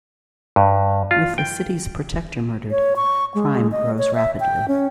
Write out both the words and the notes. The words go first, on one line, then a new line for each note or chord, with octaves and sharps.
With the city's protector murdered, crime grows rapidly.
G2
F4
G5
C#5
C#6
G#3
D#5
C#5
E5
G5
C#4